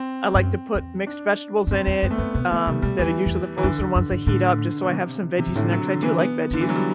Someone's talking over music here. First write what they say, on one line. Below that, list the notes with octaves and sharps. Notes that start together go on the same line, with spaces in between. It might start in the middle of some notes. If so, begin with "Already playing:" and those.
I like to put mixed vegetables in it, um, that are usually the frozen ones that heat up just so I have some veggies in there 'cause I do like veggies,
Already playing: C4
G2
F#2
E2
D4
G2
F#2 C4
E2
F#2 B3
A3
F#2 B3
B2 B3
D3 A3
C3 G3
B2 G3
E2 E3
E2
E3
F#2 D3
E2
F#2
G2
A2 D3
B2
C3
C3
G2
A2 D3
F#3
D3
E3
B3
F#2 D3
E3
F#3
G3